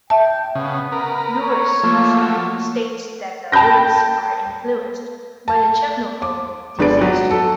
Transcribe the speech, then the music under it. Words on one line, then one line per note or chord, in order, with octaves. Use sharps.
Luerssen states that the lyrics are influenced by the Chernobyl disaster.
E5 G5 A5
C#3 B3
A#4 B4
C#5
F3 A3 A#3
F#4
G5 A5 B5 G6 A#6
A5
D6
G#1 B3 D4 G#4 D5 D7
F#3
A4